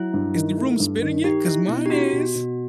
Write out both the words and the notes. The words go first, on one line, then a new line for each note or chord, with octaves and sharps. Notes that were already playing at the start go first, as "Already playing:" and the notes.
Is the room spinning yet? 'Cause mine is.
Already playing: F#3 E4
G2
D#3
A3
G2
D#3
D#4 G4
D#4 E4
B2 E4
G4
D#4 F#4
B2
B2